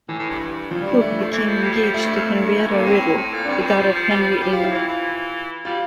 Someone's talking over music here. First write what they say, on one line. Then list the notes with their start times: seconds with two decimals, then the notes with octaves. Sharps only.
Cooke became engaged to Henrietta Riddle, the daughter of Henry Ainley.
0.09 A2 E3
0.19 A2
0.29 G2
0.40 G2
0.70 F2 F3
0.81 G3
0.87 G2
0.92 G3
1.01 A3
1.22 F3
1.32 E3 A3
1.48 F3
1.63 G3
1.73 F3
1.84 G3
1.94 F3 A3
2.04 G2
2.15 F2
2.25 F2
2.40 G2
2.56 A#2 A3
2.67 G2 A#3
2.77 A2
2.87 C4
3.17 A2
3.33 A#2
3.45 D4
3.49 G2 C4
3.59 A2
3.65 F3
3.69 G3
3.79 F3
3.95 F3
4.11 G3
4.21 F3
4.31 G3
4.42 F3 G4
4.53 F3 F4
4.64 E4
4.72 E3 F4
4.88 E3
5.65 G3 F4